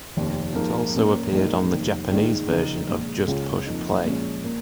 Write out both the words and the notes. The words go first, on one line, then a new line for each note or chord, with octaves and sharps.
It also appeared on the Japanese version of "Just Push Play".
F1 D#2 D#3
G#2 F3 A#3 F4
A#2 A#3 C#4
A#1 G#2 G#3 D#4 A#4
F1 D#2 D#3
A#1 G#2 D#3 G#3
C#3 F3 A#3 D#4
A#1 A#2 G#3
C#2 C#3 G#3 C#4 F4
F2 F3 A#3 D#4
A#2 F3 G#3 C#4
A#2 A#3